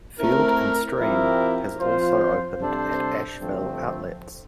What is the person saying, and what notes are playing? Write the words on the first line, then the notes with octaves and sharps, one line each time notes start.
Field and Stream has also opened at Asheville Outlets.
A3 C4 E4 A#4
F3 C4 E4 G4 A#4
F3 C4 F4 C5
C3 G3 D4 A4 C5
G2 D3 F3 A3 C4